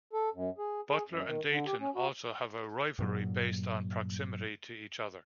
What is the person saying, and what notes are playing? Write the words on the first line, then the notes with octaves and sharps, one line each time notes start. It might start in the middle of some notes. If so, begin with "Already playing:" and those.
Butler and Dayton also have a rivalry based on proximity to each other.
A4
F#2
G#4
G#4
F#2
D#3
D3
G4
C#4
F#4
G2 A#2 F#3